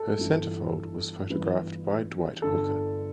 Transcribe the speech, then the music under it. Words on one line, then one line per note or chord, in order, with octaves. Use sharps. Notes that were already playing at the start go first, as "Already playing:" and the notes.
Her centerfold was photographed by Dwight Hooker.
Already playing: A4
G1 G2 E3
G1 G2 E3 B4
G1 G2 D3 A4